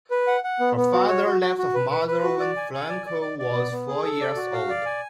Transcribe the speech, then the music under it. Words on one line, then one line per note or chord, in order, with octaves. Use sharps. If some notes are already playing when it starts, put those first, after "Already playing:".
Her father left her mother when Frankel was four years old.
B4
F#5
F#5
B3
B3
F#4
C#5
F#4
F#4
F#4
B4
B4
B4
F#4
D5
G#5
G#5
D5
D5
D5
D5
B3
B3
G#4
A4
D5
F#4
F5
D5
G#5